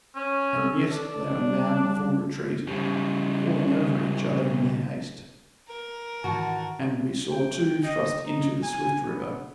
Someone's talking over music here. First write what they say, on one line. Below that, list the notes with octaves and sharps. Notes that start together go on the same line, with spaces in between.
And yet they were now in full retreat, falling over each other in their haste, and we saw two thrust into the swift river.
C#4
A4
D4
G3
C#3 G3
A#4
G#2 D#3 E3 F#4 F#5 A5
G5
D#5
D#4
G#5
B3